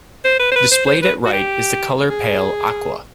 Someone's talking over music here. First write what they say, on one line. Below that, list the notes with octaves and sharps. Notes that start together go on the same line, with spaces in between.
Displayed at right is the color pale aqua.
C5
B4
C5
B4
C5
C5
B4
F#4
G4
G#4